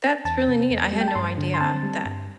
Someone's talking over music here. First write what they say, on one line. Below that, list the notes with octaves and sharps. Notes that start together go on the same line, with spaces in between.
That's really neat, I had no idea that
E2 A5
C3
E2
G3
G5
A5
G2 C6
D3
C6
C4 A5
G3
G2